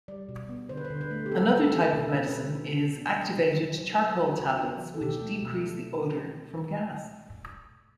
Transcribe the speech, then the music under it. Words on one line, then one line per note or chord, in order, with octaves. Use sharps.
Another type of medicine is activated charcoal tablets which decrease the odor from gas.
G3 D5
B2
B3
D3 C5
B4
C5
D3
B4
A3
G4
C4 A4
A3 A4
C4 G4
B2 A4
B2
B4
B2
D4
D4
B3
F#3
C3
F#3
F#3 C5
F#3 B4
C5
F#3
F#4
C3
B3
E3
A4
B2 G4
A3
B2